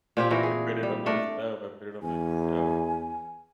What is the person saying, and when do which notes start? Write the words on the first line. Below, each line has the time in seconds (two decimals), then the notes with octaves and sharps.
put it on myself, I put it on myself.
0.17 A#2 C4 G4
0.30 A#2 E3 F#4 A#4
0.43 G#4
0.83 G3
1.06 A3 D4 A#4
2.03 E2 G#5